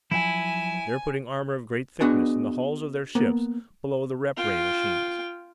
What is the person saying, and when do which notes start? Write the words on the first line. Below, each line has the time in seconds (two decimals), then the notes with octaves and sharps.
They're putting armor of great thickness in the hulls of their ships below the rep-ray machines.
0.11 F3 F#3 E4 E5 G#5
2.00 B3 D4 F#4 G#4 D#5 G#5
3.15 A#3 B3
4.36 F4 G5